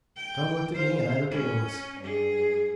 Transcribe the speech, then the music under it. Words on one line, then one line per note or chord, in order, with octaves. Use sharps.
John looked at me, and I looked at Willis.
G5
C5 F5
C#4
G2 G#4